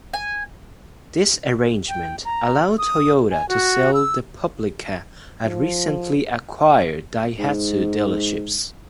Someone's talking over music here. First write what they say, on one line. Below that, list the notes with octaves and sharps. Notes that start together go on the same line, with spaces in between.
This arrangement allowed Toyota to sell the Publica at recently acquired Daihatsu dealerships.
G#5
G5
A#5
D#6
G#5
F#4
E6
F3
G#2